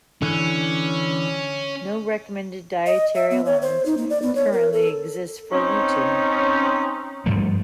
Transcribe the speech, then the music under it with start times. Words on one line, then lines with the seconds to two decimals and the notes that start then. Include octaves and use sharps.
No recommended dietary allowance currently exists for lutein.
0.22 D3 E3 C#4
2.86 D#5
3.15 E5
3.31 B3
3.46 C#5
3.62 C5
3.86 D#4
3.97 A#3
4.10 D5
4.22 B3
4.35 C#5
4.53 A#4
4.73 A4
5.52 C4 C#4 D#4
7.26 G2 F3 A3